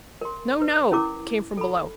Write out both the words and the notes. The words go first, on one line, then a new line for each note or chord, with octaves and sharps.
"No, no!" came from below.
A#4 C6
B4
C#4 E4 A#4 D6
A4 B5